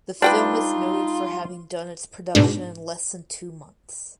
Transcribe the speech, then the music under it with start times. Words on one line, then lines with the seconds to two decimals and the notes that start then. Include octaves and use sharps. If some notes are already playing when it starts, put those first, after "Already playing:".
The film is noted for having done its production in less than two months.
0.22 G3 D4 D#4 F4 B4 G5 B5
2.35 G#2 B2 D4